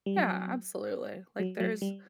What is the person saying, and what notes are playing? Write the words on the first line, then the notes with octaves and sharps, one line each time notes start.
Yeah, absolutely, like there's
G3
F#3
F#3
F#3
G3